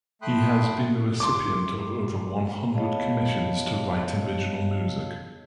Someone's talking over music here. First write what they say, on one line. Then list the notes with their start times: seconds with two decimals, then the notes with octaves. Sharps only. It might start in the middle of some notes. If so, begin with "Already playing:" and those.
He has been the recipient of over one hundred commissions to write original music.
0.22 A3 G5 B5 C6 D#6 F#6
1.20 C6 D6
2.74 B3 G#4 C#5 D#5 F5 A5